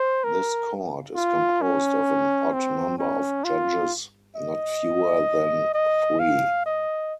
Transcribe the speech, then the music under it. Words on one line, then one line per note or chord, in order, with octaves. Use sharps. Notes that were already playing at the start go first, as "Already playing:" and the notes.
This Court is composed of an odd number of judges not fewer than three.
Already playing: C5
A#4
F4
C#4
C4
C#4
F4
D#5
D#5
F5
D#5